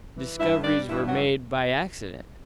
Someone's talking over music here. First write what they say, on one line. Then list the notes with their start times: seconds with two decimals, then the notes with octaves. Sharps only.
Discoveries were made by accident.
0.16 E3
0.39 G2 E4 E5
0.64 G3 D4 D5
0.89 G2 E3 E4
1.07 F#3 F#4
1.12 E3